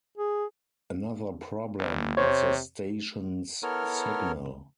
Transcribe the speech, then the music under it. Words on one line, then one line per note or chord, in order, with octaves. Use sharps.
Another problem was the station's signal.
G#4
G1
C3 C5 C#5
B3 E4 A4 A#4 C#5 F6